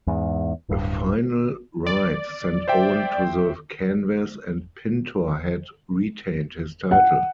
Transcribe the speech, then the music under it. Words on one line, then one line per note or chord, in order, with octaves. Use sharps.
A final right sent Owen to the canvas and Pintor had retained his title.
E2 G#2
D1 G2
D5
C5 E5 G5
F#5